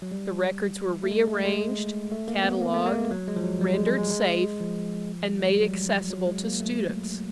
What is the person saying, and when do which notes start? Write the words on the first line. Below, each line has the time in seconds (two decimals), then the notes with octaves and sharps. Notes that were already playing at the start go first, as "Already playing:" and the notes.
The records were rearranged, catalogued, rendered safe, and made accessible to students.
0.02 F#3
0.12 G3
1.04 A3
1.11 G#3
1.28 A3
1.45 G#3
2.12 A3
2.28 A#3
2.44 B3
2.61 A#3
2.74 A3
2.86 A#3
2.98 G#3
3.11 F#3
3.28 G#3
3.36 F3
3.44 F#3
3.61 G3
3.73 G#3
3.86 G#3
3.98 G#3
4.11 G#3
4.60 F3
5.39 G#3
5.50 G3
5.60 F#3
6.10 F#3
6.27 G#3
6.44 A#3
6.60 A3